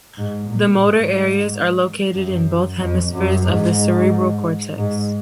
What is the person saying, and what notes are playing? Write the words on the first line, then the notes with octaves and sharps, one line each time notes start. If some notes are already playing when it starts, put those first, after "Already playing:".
The motor areas are located in both hemispheres of the cerebral cortex.
G#2
A#2
G#2
F#2
F2
F#2
G#2
G#2